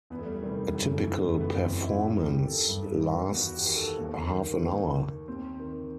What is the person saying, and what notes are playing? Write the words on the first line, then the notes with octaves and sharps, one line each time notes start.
A typical performance lasts half an hour.
E2 B3
A3
G3
A3
C3 D#3 G3
F#2 A3
E3
A3
F#2 B3
C4
E3
E4
D#2
G4
D#3
A4
G2
D#3
E2 F#4
G4
D#3
A4
D#2
D#3
D#2
D#3
D#2 C4
D#3